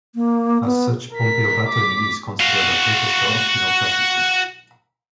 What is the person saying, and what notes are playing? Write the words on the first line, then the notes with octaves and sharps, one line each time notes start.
As such Pompeo Batoni is considered a precursor of Neoclassicism.
A#3
B3
A#4 B6
D6 B6
F#4 F5